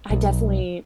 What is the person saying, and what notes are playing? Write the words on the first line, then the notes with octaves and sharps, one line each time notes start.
I definitely,
B1